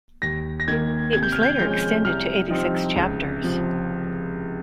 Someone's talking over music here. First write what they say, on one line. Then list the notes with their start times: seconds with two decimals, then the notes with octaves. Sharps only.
It was later extended to eighty-six chapters.
0.22 D#2 A#6
0.60 A#6
0.68 D#3 A#3 G#6
1.13 C3 G#6
1.23 G6
1.32 F6
1.42 G6
1.59 F3 G#3 C#4 G6
2.05 C2 F6
2.50 C3 F3 C4 D#4
2.96 C#2
3.42 C3 F3